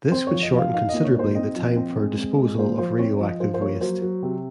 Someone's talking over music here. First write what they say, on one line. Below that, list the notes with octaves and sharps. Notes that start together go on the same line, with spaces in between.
This would shorten considerably the time for disposal of radioactive waste.
C4 C5
C#5
F3
D#5
F3 F5
D#4 F5
A#2 D#5
C#5
D#4 C5
C4 D#5
F3
C4
G#3
C4
G#3
A#2 C5
F3 C5
C4 C#5
F3 D#5
F3 C5
C5
A#3 C#5
F#3 C5
F#3
C3